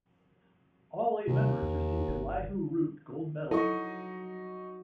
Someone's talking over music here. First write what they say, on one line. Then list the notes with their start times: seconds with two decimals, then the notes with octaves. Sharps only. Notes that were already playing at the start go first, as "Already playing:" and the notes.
All eight members receive Elihu Root gold medals.
1.28 D#2 C3
1.62 E2
2.08 G1
3.51 F#3 D#4 E4 A4 D#5 C#6